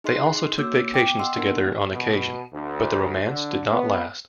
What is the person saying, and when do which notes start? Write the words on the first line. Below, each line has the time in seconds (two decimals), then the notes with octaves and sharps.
They also took vacations together on occasion, but the romance did not last.
0.04 D#4 G#4 D#5 C6 F#6 C7
0.58 A#3 F#4 C#5 D6 E6 G6
0.93 B3 G5 D6
1.19 D#5 F#5 C6 E6
1.36 A#3 B3 D4 D#4 A#4 F#5
1.92 B2
2.53 D2
3.27 D3
3.73 B3